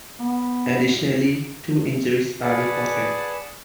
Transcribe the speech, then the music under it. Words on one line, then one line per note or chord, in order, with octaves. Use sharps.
Additionally, two injuries were reported.
B3
G#4 B4 D5 F#5 A5